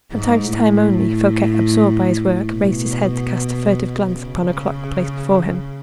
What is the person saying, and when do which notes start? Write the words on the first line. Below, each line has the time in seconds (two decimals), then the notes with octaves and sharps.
From time to time, only, Fouquet, absorbed by his work, raised his head to cast a furtive glance upon a clock placed before him.
0.13 G#2
0.52 A2
2.54 B2
4.14 C#3